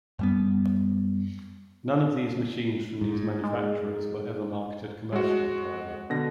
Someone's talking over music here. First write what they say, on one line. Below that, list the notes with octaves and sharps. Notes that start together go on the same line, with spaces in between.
None of these machines from these manufacturers were ever marketed commercially, however.
F#2 G3 B3
G#2
G#3
G#3 F#4
B2 D3 A#6